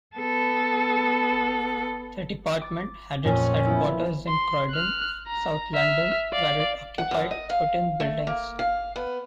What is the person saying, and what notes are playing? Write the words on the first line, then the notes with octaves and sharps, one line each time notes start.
The department had its headquarters in Croydon, South London, where it occupied thirteen buildings.
B3 A4
D6 A6
F2 A#2 C#4
F3 B3 E4
C6
F6 F#6
A#5
E5 F6
D5 F5
F#5
F#2
D#5
F5
A3
A#3
F5
B3